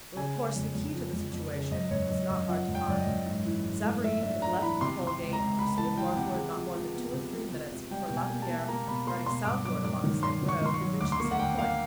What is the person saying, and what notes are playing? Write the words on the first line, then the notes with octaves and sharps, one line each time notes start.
Well, of course, the key to the situation was not hard to find. Savareen had left the toll-gate and proceeded northward not more than two or three minutes before Lapierre, riding southward along the same road, had reached the same point.
C#3 G#5
C#3
F2
F2
F3
F2
F2
C#3
F#2 D#5
F#2 C#5
F#2 D#5
F#2 D#5
F3 F#5
F#2
G5
F#2 D5
D#5
F#2
G#2
E3
G#2
A3
A3 E5
D4 E5
D4 A#5
E3 B5
C3 C6
C3
C6
C#2
A#5
C#2
C#2 B5
E3 A5
E3 G5
G5
C3 F#5
G#3
F3
F3
B3
C3
F3
C3
C3
G3 G5
B2 G5
G#5
A#3
A5
A#3
A#3 A#5
B2 B5
A#3 C6
B2 C6
G2 D6
F#3 D6
G2 D6
D#3
G2 C6
D#3
C#6
D#3 C6
C#6
F#3
D2 D6
C6
A#3 C#6
F#5
D2 G5
A#3 F5